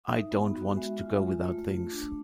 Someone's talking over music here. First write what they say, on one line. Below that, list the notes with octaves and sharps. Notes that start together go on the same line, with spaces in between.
I don't want to go without things.
D#4 E5
B3
F#4
G#3 E5
F4
F4
A3
A3
D4